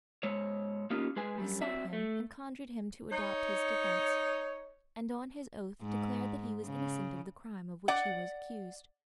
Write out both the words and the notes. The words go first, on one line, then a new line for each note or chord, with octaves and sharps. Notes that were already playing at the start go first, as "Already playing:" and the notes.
He sought him, and conjured him to adopt his defence, and on his oath declared that he was innocent of the crime of which he was accused.
G#2 G#3 C#5
A#3 C#4 D#4 F4 G4 A#4
G#3 G#4 B4 G#5
F#2 G3
C4 F#4 D5 E5
A3
D#4 C#5
G#2
C#3
D5 F#5